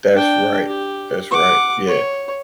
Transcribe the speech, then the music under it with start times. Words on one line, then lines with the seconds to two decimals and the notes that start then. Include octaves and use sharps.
That's right. That's right. Yeah,
0.14 D4 G5
0.67 G4
1.31 F#5 D6
1.87 C#5